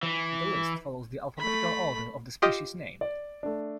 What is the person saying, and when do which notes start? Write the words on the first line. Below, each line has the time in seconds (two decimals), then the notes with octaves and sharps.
The list follows the alphabetical order of the species name.
0.03 E3
1.38 A3 B5
2.42 F4 G4 D#5
3.01 D5
3.43 A3 D4